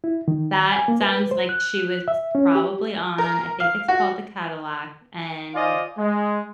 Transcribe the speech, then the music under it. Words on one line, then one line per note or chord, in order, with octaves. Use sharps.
That sounds like she was probably on- I think it's called the Cadillac, and
E4
D#3
A#5
G#5
A#3
B4
C5
F#6
E5
C#4
G4
A#4
F5
F#4
F4 C5 D5 D#5 F5 G#5
G#3